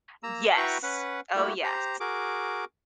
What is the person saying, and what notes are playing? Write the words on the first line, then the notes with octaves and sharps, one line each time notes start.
Yes. Oh yes.
A#3 A#5 E6
E4 F#4 B4 G5 A#5 C#6
C#4 B4 F#5
A3 A#3 E4 F#4 G4
G4 C5 A#5
F#4 G#4 A#4 D6